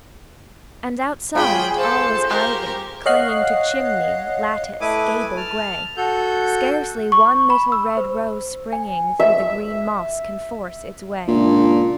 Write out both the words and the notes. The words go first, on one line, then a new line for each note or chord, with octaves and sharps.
And outside all is ivy, clinging To chimney, lattice, gable grey; Scarcely one little red rose springing Through the green moss can force its way.
G#1 F4 G#4 G5 G#5 B5
A4 C5 A5
G4 A#4
C#5 D#5 F5 F#5 F#6 C7
A3 E4 B4 G#5 D6 D#6
A5 F6
F#4 A4 G6
C#6
B5
E6
C5
G#5
E5
C#2 A#2 D4